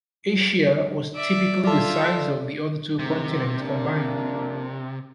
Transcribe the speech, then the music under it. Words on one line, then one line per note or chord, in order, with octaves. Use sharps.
Asia was typically the size of the other two continents combined.
D5 E5
F4 A4 D5 E5
G#2 C3 D#3
F2 A#3 D4